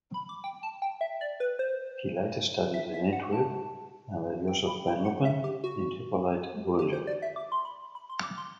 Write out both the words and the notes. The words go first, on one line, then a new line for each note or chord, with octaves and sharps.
He later studied in Antwerp under Joseph Van Luppen and Hippolyte Boulenger.
B5
D6
G5
A5
G5
E5
D5
B4
C5
E5
E5
F#5
A5
G5
B5
G5
F#5
E5
G4
F#4
G4
C5
D5
E5
D6
C6
B5
B5
C6
D6
C6